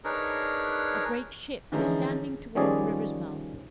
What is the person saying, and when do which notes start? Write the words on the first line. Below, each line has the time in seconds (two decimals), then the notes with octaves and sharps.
A great ship was standing towards the river's mouth.
0.04 D4 D#4 G#4 A#4 B4 C#5
1.72 D3 E3 F3 G#3 C#4 D#4
2.55 D#3 F3 G3 C#4 G#4 D5